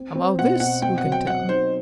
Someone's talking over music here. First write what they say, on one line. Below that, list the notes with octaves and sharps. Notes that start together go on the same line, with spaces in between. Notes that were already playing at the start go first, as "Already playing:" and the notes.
About this who can tell?
Already playing: C4
C4
B2 F#5
B2 F#5
C4 G5
F#5
F#3
G5
F#3 F#5
D#4 C5